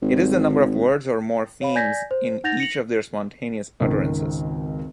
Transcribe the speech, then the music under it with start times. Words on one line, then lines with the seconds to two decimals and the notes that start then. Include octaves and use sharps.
It is the number of words or morphemes in each of their spontaneous utterances.
0.02 G#1
1.61 C#5 F5 B5
1.75 D5 G#5 G6 G#6 A#6 B6
2.11 C5
2.44 D#4 F#5 G6 A6 A#6 F7
2.59 A#6 C#7 F7 F#7
3.80 G#1 C#2 D#3 A#4